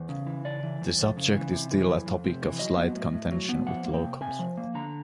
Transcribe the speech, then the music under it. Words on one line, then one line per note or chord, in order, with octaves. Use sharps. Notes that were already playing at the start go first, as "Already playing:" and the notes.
The subject is still a topic of slight contention with locals.
Already playing: E2 C5
C#3
E3
C#3 D5
E3
F2
F2
C#3
E3
C3
E3
F2
F2
C3
E3
F#3 D#5
B3
A2
A2
F#3
B3
F3 F#5
A#3
G5
C3
C3 G#5
F3
A#3
D3 A#5